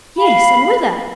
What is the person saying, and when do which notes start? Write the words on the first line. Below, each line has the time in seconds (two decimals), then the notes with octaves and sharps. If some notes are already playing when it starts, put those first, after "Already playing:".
Yes, and whither?
0.17 F5 B5